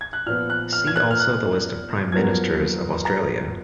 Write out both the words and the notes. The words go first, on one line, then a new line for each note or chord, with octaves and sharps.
See also the list of Prime Ministers of Australia.
G#6
F#6
A#2 F3 B3 F6
F#6
F6
G#6
F#6
F6
F#6
F#2 F3 B3 F#4 A#4 G#6
A#5